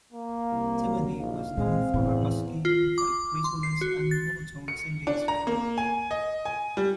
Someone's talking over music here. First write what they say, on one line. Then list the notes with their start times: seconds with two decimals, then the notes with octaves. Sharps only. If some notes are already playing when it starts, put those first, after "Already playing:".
Timony was known for her husky, vibrato-less and monotone singing style.
0.12 A#3
0.52 C2
0.82 F#3
1.20 A#1 D#4 F5
1.57 A#2 D#3 G#3 C4
1.94 E2 A2 C3
2.65 F4
2.98 D6
3.44 C6
3.63 C7
3.81 F#4
4.11 A6
4.68 C#7
5.07 D4
5.28 A#5
5.47 A#3
5.78 G#5
6.11 D#5
6.45 G#5
6.77 G3